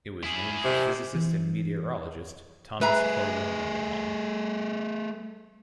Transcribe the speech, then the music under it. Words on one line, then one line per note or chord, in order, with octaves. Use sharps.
It was named for physicist and meteorologist Thomas Corwin Mendenhall.
E4 G#4
C3
E3
A3 G#4 B4 E5 A#5